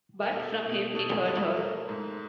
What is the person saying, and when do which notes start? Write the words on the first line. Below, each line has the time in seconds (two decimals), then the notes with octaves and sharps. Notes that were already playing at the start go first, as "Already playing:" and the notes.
But from him it hurt her.
0.22 A#4
0.31 B2 A4
0.63 B2
0.95 B2 A4
1.26 G3 A4
1.57 A3 A#4
1.89 G#2